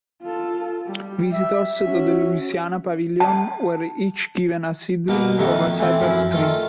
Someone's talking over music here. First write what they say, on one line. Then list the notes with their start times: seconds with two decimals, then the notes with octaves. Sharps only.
Visitors to the Louisiana Pavilion were each given a seedling of a cypress tree.
0.22 F4 A4
0.86 G3
1.32 E5
1.84 C#4 F#4
3.20 A5
5.08 B2 A#3 B3
5.38 F2 A#2 D#3 A3 B3
5.79 E3 A3 C4
6.00 F#2 F3 E4
6.32 D#3 A3 F4